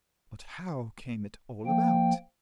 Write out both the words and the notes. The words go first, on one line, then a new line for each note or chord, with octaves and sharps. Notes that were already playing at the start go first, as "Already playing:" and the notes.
But how came it all about?
F3 A#3 G5